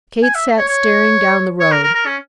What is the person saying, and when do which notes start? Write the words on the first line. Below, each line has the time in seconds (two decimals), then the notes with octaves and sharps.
Kate sat staring down the road.
0.23 G#5
0.35 E5
0.58 C#5
0.69 C#5
1.60 C#5
1.72 A#4
1.83 A#4
1.94 A#4
2.06 C#4